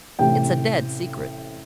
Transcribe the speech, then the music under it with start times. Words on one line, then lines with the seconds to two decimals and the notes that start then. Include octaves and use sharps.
It's a dead secret.
0.19 A1 C3 G4 G5